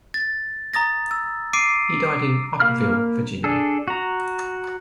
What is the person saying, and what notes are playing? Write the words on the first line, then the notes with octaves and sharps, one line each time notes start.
He died in Upperville, Virginia.
A6
A#5 D#6 A6 A#6
E6
D6 C7 D7 D#7
A#3 A#4 F5 B5 F6
D4 G#4 A4
F#4 A#5